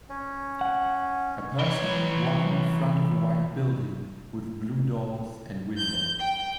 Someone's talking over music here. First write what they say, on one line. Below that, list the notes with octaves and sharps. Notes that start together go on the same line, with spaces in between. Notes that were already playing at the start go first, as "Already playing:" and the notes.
A person walking in front of a white building with blue doors and windows.
C#4
F#5
E3 C#5
G6
G5